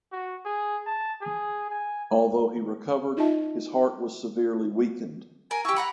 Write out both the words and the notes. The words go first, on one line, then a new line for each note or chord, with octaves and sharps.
Although he recovered his heart was severely weakened.
F#4
G#4
A5
G#4
G#5
D#4 F4 D#5 E5 A5
A#4 G#5
E4 G4 C#6
F#5 A#5 B5 C#6